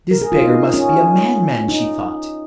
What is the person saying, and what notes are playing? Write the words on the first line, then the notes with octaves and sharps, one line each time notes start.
This beggar must be a madman, she thought.
A#4
G#4
F4
D#4
C#4
D#4